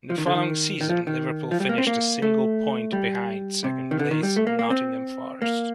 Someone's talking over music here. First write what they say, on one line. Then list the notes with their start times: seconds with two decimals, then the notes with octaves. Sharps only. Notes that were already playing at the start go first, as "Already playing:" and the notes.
In the following season, Liverpool finished a single point behind second-placed Nottingham Forest.
0.10 F3
0.18 D#3
0.26 D3
0.35 D#3
0.81 D#3
0.89 F3
1.07 D#3
1.51 F3
1.60 G3
1.69 A#3
1.78 C4
1.87 A#3
2.22 A3
2.93 G3
3.64 C3
3.91 D#3
3.99 D3
4.11 D#3
4.23 G3
4.36 A3
4.47 A#3
4.59 A#3
4.70 C4
5.42 A#3